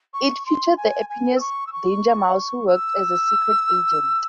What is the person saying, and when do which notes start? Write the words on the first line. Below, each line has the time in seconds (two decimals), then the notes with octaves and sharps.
It featured the eponymous Danger Mouse who worked as a secret agent.
0.14 C#6
0.46 C6
0.77 G#5
1.09 G#5
1.36 E6
1.40 C#6
1.67 E6
1.72 C#6
2.67 E6